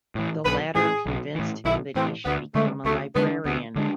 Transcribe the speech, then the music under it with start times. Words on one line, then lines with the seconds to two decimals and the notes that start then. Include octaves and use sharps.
The latter convinced him that he should become a librarian.
0.15 A2 E3
0.45 B1 B4
0.75 A2 E3 G#4
1.06 B1
1.35 A2 E3
1.65 B1 E4
1.95 A2 E3 C4
2.25 D2 B3
2.55 D3 G#3 A3 D4
2.85 D2 A3
3.16 D3 G#3 B3 D4
3.45 D2 B3
3.76 D3 G#3 D4